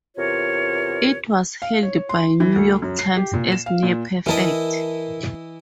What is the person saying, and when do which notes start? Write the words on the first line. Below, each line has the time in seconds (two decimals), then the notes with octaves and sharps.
It was hailed by "The New York Times" as "near perfect".
0.17 E2 C3 F4 A#4 C#5
1.62 F5
1.83 C#5
2.09 C6
2.40 E3
2.56 D2
2.82 F#2
2.99 C7
3.17 G4
3.34 A#2
3.52 E7
3.66 F5
3.83 A#2
4.26 E3 E4 A#4 D#5 A5